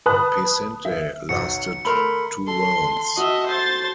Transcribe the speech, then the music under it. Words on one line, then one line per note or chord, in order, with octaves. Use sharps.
Pesente lasted two rounds.
B4 A5 B5 D#6 F#6
E5
B1 F#3 C#7
A3 A#4 B5 C6
A4 C6
F#4 D#5 E5
C5 A6